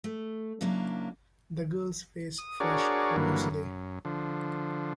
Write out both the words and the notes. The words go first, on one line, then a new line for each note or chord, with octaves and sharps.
The girl's face flushed rosily.
A3
C#3 F#3 A#3 D4 E4
D#6
D4 F#4 G#4 A#4 C#5 D5
G2 D3 E3 F#3 A#3
F#2
D3 F3